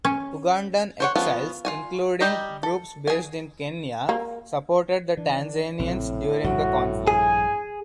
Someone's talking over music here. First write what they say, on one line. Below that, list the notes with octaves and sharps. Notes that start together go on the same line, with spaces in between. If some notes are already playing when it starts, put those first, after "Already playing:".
Ugandan exiles including groups based in Kenya supported the Tanzanians during the conflict.
C#4
C5 C#5 F#5
F3 B3 C#4 F4
F4 F#4 G#5
G3 G4 D#5 A#5
A4
G#4 G#5
A#3
E3 D4
A#1 A2 C#3 C4
A#1 G2 F3 F#4
G#4 G#5